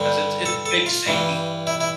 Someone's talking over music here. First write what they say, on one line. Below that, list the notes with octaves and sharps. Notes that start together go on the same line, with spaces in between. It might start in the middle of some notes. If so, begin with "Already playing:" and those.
'cause it's it's a big sea,
Already playing: G2 D3 G3
A4
A4
F4
G2 E3 G3
E4
E4